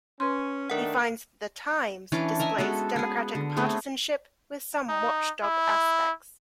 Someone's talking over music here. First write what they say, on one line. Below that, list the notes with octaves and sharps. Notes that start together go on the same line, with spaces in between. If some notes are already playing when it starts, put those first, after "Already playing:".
He finds that the "Times" displays Democratic partisanship, with some watchdog aspects.
C#4 B4 C6
D#3 A3 D4 A#4 F#5
E3 C#4 D4 D6
A#4 D#5 E5 G#5
G#3 B3 F#4 A4
B3 G#4
D3
A3 B3 C4 G#4
D#4
E4